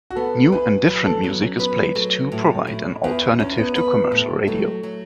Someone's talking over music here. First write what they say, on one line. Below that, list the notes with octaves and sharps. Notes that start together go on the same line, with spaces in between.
New and different music is played to provide an alternative to commercial radio.
F#4
B3 A4
E2 B4
F#3 B4
A4
F#3 B3
C#4
B3 B4
F#3 A3
A2
A2
E2 B3
E2 C#4
B3
B3 B4
A2
F#3 A3
F#3